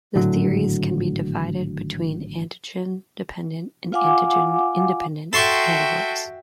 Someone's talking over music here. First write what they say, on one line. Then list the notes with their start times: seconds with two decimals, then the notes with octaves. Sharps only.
The theories can be divided between antigen-dependent and antigen-independent categories.
0.15 G#1 A2 D3 F#3
3.92 F4 F5 F#5 G#5 D6
5.33 F#4 A4 E5 G5 C6 C#6